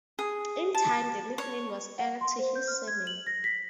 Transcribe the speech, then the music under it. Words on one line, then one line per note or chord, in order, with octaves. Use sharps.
In time the nickname was added to his surname.
G#4
A5
C#5
F#5
C6
C5
G6
F6
G#6
F#7
A#6
B6